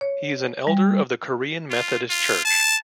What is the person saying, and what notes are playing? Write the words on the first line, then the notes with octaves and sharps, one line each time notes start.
He is an elder of the Korean Methodist Church.
C#5
G3
F4
F4
A5